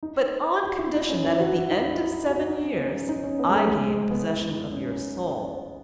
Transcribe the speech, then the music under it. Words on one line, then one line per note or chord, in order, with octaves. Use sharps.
"But on condition that at the end of seven years I gain possession of your soul."
D#4
F#4
E4
D#4
C#4
E4
F#4
E4
D#4
E4
F#4
E4
D#4
C#4
B3
C#4
D#4
C#4
B3
G#3
A3
G#3
G#3
B3
E4
D#4
C#4